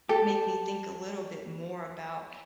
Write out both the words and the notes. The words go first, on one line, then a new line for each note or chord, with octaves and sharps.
make me think a little bit more about
G4 A4